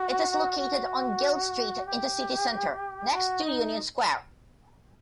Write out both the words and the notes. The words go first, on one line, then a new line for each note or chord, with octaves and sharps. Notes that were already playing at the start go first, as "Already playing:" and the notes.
It is located on Guild Street in the city centre, next to Union Square.
Already playing: F#4
F#4
G4
F#4
D#4